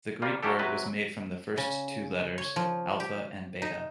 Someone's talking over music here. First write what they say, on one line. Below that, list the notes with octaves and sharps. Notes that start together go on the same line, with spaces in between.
The Greek word was made from the first two letters, "alpha" and "beta".
G3 A#3 F4
F#3 A#3 C#4 D4 G4 A4
C3 F#3 B4
C#3
C#5
F3
G4
D#4